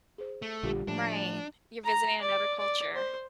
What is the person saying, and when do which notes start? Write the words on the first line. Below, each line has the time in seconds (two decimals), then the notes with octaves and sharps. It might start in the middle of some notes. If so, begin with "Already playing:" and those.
Right, you're visiting another culture.
0.18 G#4 C5
0.42 A3
0.63 A#1 D3 G3 F4 G4
0.88 A2 F3 D4
1.84 A#5
2.21 D5
2.58 D5
2.95 C5